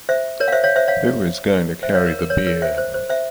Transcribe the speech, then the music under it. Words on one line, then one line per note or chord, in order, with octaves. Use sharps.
Who is going to carry the beer?
C5 E5
A#4 C#5
F5
C5 E5
C#5 F5
C5 E5
C#5 F5
C5 E5
C#5 F5
A#4
A#4
A#4 C#5
A#4 C#5
C5 E5
C5
C5
C5 E5